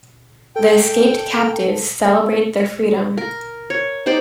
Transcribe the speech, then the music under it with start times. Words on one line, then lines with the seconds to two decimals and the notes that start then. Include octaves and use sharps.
The escaped captives celebrate their freedom.
0.56 A4 G5
3.18 A#4
3.70 C#5
4.06 D#4 G4 C5 D5